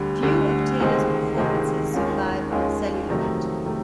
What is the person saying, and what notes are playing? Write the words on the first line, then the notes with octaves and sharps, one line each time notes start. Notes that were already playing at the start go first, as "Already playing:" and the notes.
Few of Taylor's performances survive on celluloid.
Already playing: D2 D3 G3
D2 D3 G3
C#2 C3 D#3 G#3 C4
C#2 C3 D#3 G#3 C4
D#2 D#3 G#3 C#4 F4
D#2 D#3 G#3 C#4 F4
F2 C3 D#3 F#3 A3
C3 D#3 F#3 A3